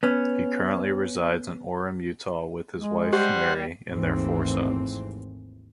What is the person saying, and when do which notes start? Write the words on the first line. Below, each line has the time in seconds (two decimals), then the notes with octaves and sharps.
He currently resides in Orem, Utah with his wife, Mary, and their four sons.
0.03 B3 C#4
2.75 G#3
3.13 G3 G4 C5 F#5
3.89 G#1 D#2 G#2 E3 A3 C4